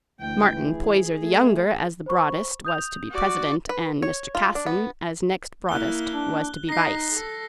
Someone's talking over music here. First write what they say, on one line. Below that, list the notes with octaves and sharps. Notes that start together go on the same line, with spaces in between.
Martin Poyser the younger, as the broadest, was to be president, and Mr. Casson, as next broadest, was to be vice.
D2 E3 G5
G#4
A3
C5 B5 C#6
D#6 G6 F7
F#4 D5
B4
C#5
F4
D4
B3
A#3 E4 F#6 G7
D4
D#4 D#5 A#6 C7
A4